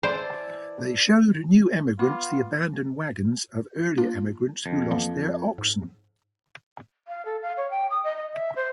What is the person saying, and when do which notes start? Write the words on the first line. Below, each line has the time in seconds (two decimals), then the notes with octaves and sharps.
They showed new emigrants the abandoned wagons of earlier emigrants who lost their oxen.
0.03 E3 C5 D5 A5
1.99 B3 F4 B5 D6
3.98 A#3 D4 F4
4.66 F2
4.91 E3 A#3 B3
5.58 G#2
7.08 F5
7.25 A4
7.42 F5
7.57 C#5
7.71 G5
7.90 D#6
8.04 D#5
8.17 D#5
8.33 E5
8.56 C5